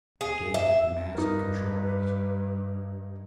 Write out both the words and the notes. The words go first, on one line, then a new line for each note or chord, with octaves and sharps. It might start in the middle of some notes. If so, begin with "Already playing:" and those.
I gazed at the mass of controls.
G#4
E5
G2 D#4 A#4 B4